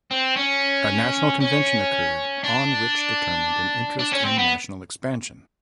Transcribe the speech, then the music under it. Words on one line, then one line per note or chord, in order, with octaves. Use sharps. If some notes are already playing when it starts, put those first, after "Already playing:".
A national convention occurred on which determined an interest in national expansion.
C4
C#4
C#4
D4
D4
C#4
C4
B3